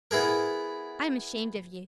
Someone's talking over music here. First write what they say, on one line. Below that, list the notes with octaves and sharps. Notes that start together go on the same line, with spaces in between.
I am ashamed of you.
B3 E4 G#4 A#4